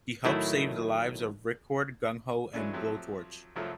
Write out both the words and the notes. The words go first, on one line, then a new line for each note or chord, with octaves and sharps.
He helps save the lives of Ripcord, Gung-Ho and Blowtorch.
A2 D#3 F#3 A3 E4
E3 F#3 G#3 A3 C#4 D4
F3 F#3 A3 C4 G4
C2 F#2 F3 F#3 A3 F4